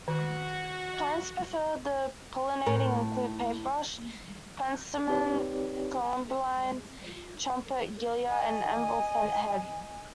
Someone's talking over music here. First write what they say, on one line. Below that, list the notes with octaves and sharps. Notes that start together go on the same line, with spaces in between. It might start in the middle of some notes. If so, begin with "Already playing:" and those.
Plants preferred for pollinating include paintbrush, penstemon, columbine, trumpet gilia, and elephant head.
D#3 F#4
A2 A#4
C4 D#4 G4 B4 C#5 D5
D#5 G#5